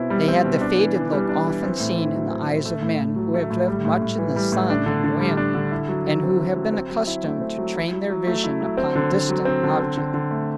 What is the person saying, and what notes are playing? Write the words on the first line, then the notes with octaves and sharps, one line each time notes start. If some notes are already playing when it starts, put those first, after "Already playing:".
They had the faded look often seen in the eyes of men who have lived much in the sun and wind and who have been accustomed to train their vision upon distant objects.
Already playing: B2 C4 E4
G3
C4
B2
D4
E3
E3
G3
D4
E3
C4
A2
E4
F#3
C4
A2
A3
A2
A2
F#3
A3
A2
G3
A2
A2
E3
G3
A2
D4
D3
D3
G3
D4
D3
E4
F#3
F#3
C4
E4
F#3
C4
F#3
E4
A3
C4
F#3
E4
F#3
F#3
A3
E4
F#3
C4
D3
D3
F#3
C4
D3
C4
D3
D3
A3